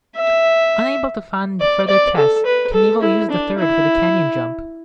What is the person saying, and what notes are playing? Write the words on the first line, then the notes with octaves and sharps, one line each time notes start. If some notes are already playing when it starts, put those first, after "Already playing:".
Unable to fund further tests, Knievel used the third for the canyon jump.
E5
D5
D5
A4
B4
A4
E4
D4
E4